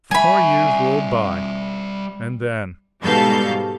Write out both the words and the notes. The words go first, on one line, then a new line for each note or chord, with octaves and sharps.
Four years rolled by--and then!
G3 E5 G#5 B5
G#2 B2 G3 A4 F5 G6